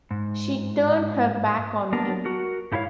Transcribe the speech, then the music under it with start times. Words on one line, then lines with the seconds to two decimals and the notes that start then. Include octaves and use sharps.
She turned her back on him.
0.11 G#2
1.92 A#3 B3 D4 A#4 B4 A5
2.25 F#4 A#4
2.72 G#2 A3 E4 G4 C#5 F5